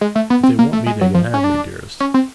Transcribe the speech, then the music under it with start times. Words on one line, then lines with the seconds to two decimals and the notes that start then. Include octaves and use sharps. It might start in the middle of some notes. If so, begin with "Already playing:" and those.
'If they want me they can have me, dearest.
0.01 G#3
0.15 A3
0.30 B3
0.43 C4
0.59 A#3
0.73 A3
0.86 G#3
1.01 F#3
1.14 F3
1.34 C#4
1.44 D4
2.00 C#4
2.14 C4